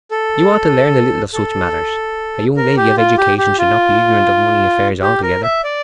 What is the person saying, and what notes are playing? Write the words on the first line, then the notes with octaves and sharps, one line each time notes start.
You ought to learn a little of such matters. A young lady of education should not be ignorant of money affairs altogether.
A4
A4
A#4
G4
F4
G4
G4
F4
G4
A#4
E5
D5